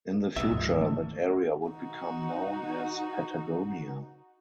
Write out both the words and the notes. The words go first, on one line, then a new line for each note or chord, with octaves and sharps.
In the future that area would become known as Patagonia.
B1 G#2 E5
D2 G2 F3
D#3 A3 A#3
D#4 F#4